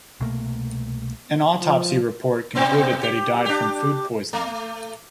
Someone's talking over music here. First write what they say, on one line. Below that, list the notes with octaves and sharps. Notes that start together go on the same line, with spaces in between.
An autopsy report concluded that he died from food poisoning.
C2 B2 A3 A#3
F3
B2 B3 C4
G4
D4 G4
A3